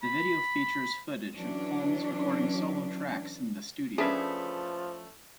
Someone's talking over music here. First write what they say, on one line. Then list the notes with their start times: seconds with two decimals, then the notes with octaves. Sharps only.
The Video features footage of Holmes recording solo tracks in the studio.
0.03 B5
1.36 E3 F#3 C#4 D4
3.98 F3 A3 C#4 D4 E4 G#4 A4 B4